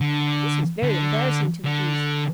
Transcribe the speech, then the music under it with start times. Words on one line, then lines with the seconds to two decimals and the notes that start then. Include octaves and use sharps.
This was very embarrassing to the Geese.
0.01 D3
0.83 D3
1.65 D3